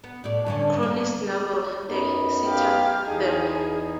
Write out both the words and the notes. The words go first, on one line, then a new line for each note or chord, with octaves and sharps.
Cronin's novel, "The Citadel".
B3
A2 D5
G2 D3 C#4
A#3
F#2 B3 D#4
G4 F5
E2 D#4 G#4